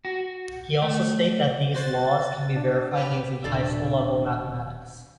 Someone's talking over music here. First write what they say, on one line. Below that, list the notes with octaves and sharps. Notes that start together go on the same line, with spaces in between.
He also states that these laws can be verified using high-school level mathematics.
F#4
A3
F#4 C5 A6
D4 A6
G4 B4 F6
D#1 B2 D#3 D4 A4 D5